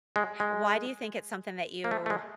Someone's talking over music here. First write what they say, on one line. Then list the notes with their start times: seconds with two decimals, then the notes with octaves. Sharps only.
Why do you think it's something that you
0.16 G#3
0.40 G#3
1.84 A#3
1.91 A3
2.06 A3
2.10 G#3